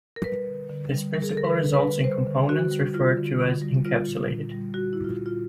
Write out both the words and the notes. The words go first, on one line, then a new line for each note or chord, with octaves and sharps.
This principle results in components referred to as "encapsulated".
A#4
G3 B4
D3
D3
G3
G3 A#4
G#4
A4
D3 A#4
B4
D3
B4
G3
G3 C5
D3
D3 F#4
G3
G3 F4
D3
D3
G3
G3 F4
A#2
A#2
G3
G3 F#4
A#2 E4
F4
A#2
F4